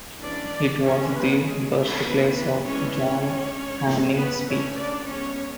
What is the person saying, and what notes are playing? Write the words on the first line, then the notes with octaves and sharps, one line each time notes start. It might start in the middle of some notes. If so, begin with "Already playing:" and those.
It was the birthplace of John Hanning Speke.
E3 G#3 C#4 D4 D5
E3 B3 C#4 D4 C#5
B3 B4
F#3 G#3 C#4 G#4
A3 A4
E3 A3 B3 D4 B4
B3 B4
E3 G#3 B3 C#4 D4 C#5
C#4 C#5
G#3 D4
G#3 C#4
B3 B4
E3 A3 C#4 D4 C#5
D4 D5
G#3 B3 C#4 D4 C#5